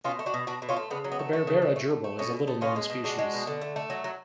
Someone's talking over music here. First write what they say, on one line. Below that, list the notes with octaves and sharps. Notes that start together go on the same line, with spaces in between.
The Berbera gerbil is a little known species.
B2 C#4 F4
A3
D4 F#4
B2
B2 D4 F#4
B2
C#4 F4
A3
C#3 B3 D4
F#3
B3
A3
A3
C#3
A3
A3
A3
A3
B2 A3 C#4
B2
A3
B2 C#4 F4
G#3
B2
G#3 D4 F#4
G#3
B2
D3
A3
A3
F#3
F#3